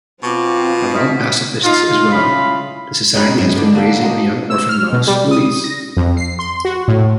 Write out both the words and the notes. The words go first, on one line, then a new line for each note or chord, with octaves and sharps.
Avowed pacifists as well, the society has been raising a young orphan mouse, Louise.
B2 C4 F4 C#6 D6
D#6 F6 B6
D#4 F4
C#3 E4 F4 F5 B5
C#3 G#3 D#4 G4 B4
F#2 B3 C#6
D3 D4
A#3 A4 G5
F#4 A#4 D#5
E6
F6
B2
G3
D#6
A#6
F2
C7
C6
F#4
A2